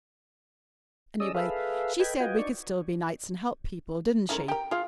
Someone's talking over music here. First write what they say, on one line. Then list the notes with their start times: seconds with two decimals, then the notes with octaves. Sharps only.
Anyway she said we could still be knights an' help people, di'n't she?
1.20 C#4 G#4 D5 D#5 D#6 E6
1.35 G#4 A4 B4 E5 F5
2.00 A4 B4 D#5 G5 B5 G#6
2.20 F4 F#4 B4 D#5 G5 G#5
2.39 D4 D#4 D5 C#6
4.29 G#2 C#4 E4 A4 A#4
4.48 G4 A#4 G5
4.71 F4 G#4 F5